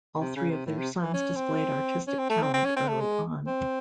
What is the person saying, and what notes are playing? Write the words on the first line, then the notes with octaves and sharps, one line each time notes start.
All three of their sons displayed artistic talent early on.
C3
C#3
C3
A2
C3
E3
C#4
C4
C#4
C4
A3
C4
C4
C#4
C4
A3
G#3
C4